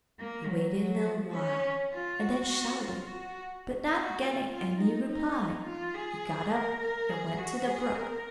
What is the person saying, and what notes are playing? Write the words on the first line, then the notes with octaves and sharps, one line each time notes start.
He waited a little while, and then shouted; but not getting any reply, he got up and went to the brook.
A#3
F#3
F#3
F3
C#4
F4
F#4
F4
F#4
F#4
F4
F4
D#4
D#4
F4
G#4
A#4
A#4
G#4
F#4
G#4
A#4